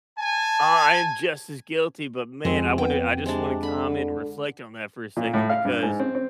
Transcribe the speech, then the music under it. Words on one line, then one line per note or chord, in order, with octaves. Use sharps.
Uh, I am just as guilty, but man, I wanna I just wanna comment, and reflect on that for a second because
G#5 A5
F2 G#3 C4
B3 G5
C3 G#3 D4
D3 B5
A#2
A2
F5
G2
G#2
C4
C4